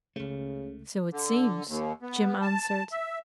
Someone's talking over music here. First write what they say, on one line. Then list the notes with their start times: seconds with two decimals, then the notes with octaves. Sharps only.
"So it seems," Jim answered.
0.16 C#2 C#3 A3
1.12 D3
1.68 D#2
2.02 B3
2.42 A5
2.92 E5